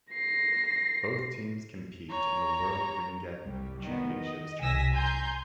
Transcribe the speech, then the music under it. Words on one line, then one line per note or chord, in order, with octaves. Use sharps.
Both teams compete in the World Ringette Championships tournament.
A#6 C7
C#5 A#5
C2 G3
D#3 B3
D#5
C2 G#5 E6 A#6 B6
G#5 A#5 C6 G6